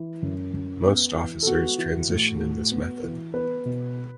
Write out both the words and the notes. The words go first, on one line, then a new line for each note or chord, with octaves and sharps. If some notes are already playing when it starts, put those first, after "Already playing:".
Most officers transition in this method.
Already playing: E3
F#2
F#2
B3
E3
A4
B3 F#4
E3
A2
A2
B3
E3
B3 B4
B2